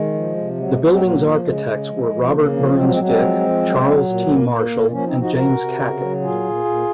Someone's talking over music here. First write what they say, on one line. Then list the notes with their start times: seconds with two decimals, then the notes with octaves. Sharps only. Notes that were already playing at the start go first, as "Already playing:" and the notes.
The building's architects were Robert Burns Dick, Charles T. Marshall and James Cackett.
Already playing: D#3 G#3
0.14 F3
0.37 C3
0.58 F#3 G#3
0.69 G#3
0.79 F#3 A#3
0.90 G#3 C4
1.01 A#2 A#3
1.23 F3
1.44 C#3 G#3
1.66 C#3
1.89 F3
2.10 F3
2.23 G#3
2.31 C#3 A#3
2.52 F3
2.74 F#3 G#3 C4
2.89 G#3 C4
2.96 F#3
3.03 G#3 C4
3.18 F3
3.40 F3
3.62 F#3
3.83 F#3
4.04 A#2
4.26 A#2 A#3
4.48 A#2 A#3
4.70 A#2
4.91 F3 A#3 C#4
5.05 C4 D#4
5.13 F3
5.20 D#4 F#4
5.34 C3 F#4 A#4
5.57 C3
5.78 C#3
5.99 F#3
6.22 A#2 F4 G#4
6.44 A#2
6.65 A#2